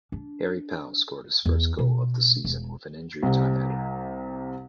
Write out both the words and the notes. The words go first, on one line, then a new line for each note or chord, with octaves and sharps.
Harry Pell scored his first goal of the season with an injury time header.
D4
E2
B2
E1
C2 C3